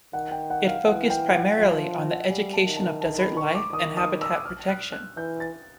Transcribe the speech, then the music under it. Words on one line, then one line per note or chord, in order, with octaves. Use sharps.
It focused primarily on the education of desert life and habitat protection.
D#3 F#5
G5
F#5
F5
E3 F#5
G5
F#5
F3 E5
F5
F#5
G3 G#5
A5
D#3
A5
A5
B5
C#6
D6
D#3 D#6
D#6
E6
F6
F#6
F#6
E3 G6
A6